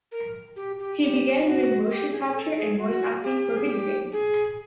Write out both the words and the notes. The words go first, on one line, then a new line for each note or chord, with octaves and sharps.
He began doing motion capture and voice acting for video games.
A#4
G4
G4
G4
F#4
G4
G#4
A4
G#4
F#4
G4
G#4
G4
G#4